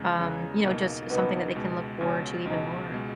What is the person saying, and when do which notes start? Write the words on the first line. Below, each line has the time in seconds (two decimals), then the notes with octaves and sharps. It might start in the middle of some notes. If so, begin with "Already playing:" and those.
um, you know, just something that they can look forward to even more.
Already playing: E2 C#3 G#3
0.19 E2 C#3 G#3
0.64 C#2 B2 A#3 D#4
1.10 C#2 B2 A#3 B3 D#4
1.55 C#2 B2 G#3
2.00 C#2 B2 G#3 C#4
2.45 C#2 B2 G#3 D#4
2.92 B2 G#3